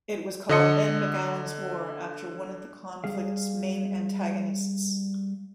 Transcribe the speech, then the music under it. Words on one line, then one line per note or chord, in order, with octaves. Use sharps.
It was called Ned McGowan's War after one of the conflict's main antagonists.
D3 D#5 C#7
G3 G#4 F5